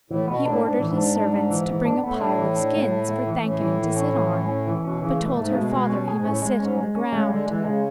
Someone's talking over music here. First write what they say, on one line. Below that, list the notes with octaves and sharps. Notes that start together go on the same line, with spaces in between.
He ordered his servants to bring a pile of skins for Thakane to sit on, but told her father he must sit on the ground.
A2 E3
B2 B3
A2 D4
G#2 D4
A2 E3
G#2
D4
D4
D4
E3
E3
D4
A2 B3
D4
E3
D4
A3
A3
A3
E3
A2 C#4
E3
E3
C#4
E3
C#4
C#4
E3
B2 C#4
C#3 E3
B2 A3
G#2 A3
C#3
B2 G#3
G#3
C#4
G#4
G#2
A2 C#4
G#3
G#2 C#4
G#3
C#4
C#3 G#3
D3 G#3
E3 G#3
D3
C#3 G#3